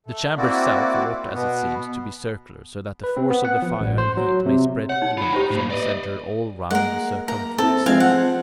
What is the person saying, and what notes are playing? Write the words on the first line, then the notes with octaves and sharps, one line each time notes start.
The chamber itself ought, as it seems, to be circular, so that the force of the fire and heat may spread evenly from the centre all round the circumference.
A3
A#3 C4 E4 F#4 D5
B2 B3
B4
C4
B3
F#5
F3
A1
C5
F#3
C3
C#5 F#5
D#4
F4 C#5 B5
D#4 G4 C5 G5
A2 A#3
B4 D5 D#5
G#3 A#3 A#4 F#5
A#3 A#5
C4 E4 A4
F3 G#3 C4 F5 G#5
F#5